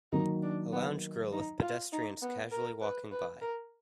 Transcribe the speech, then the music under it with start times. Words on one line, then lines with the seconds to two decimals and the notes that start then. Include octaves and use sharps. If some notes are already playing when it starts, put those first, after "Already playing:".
A Lounge Grill with pedestrians casually walking by.
0.12 D#3 F#3 A#3 D#4
0.43 D4
0.73 B3
1.33 D#4
1.62 F4
1.92 D#4
2.22 B3
2.52 A#4
2.82 B4
3.12 B4
3.41 A#4